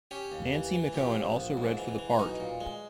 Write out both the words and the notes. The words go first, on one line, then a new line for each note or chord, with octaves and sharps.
Nancy McKeon also read for the part.
C#4 G4
D#2
E3
E3
A#1 G4
A#1
A#1
G#2
E3
E3
B1 D#4
A#2
G#3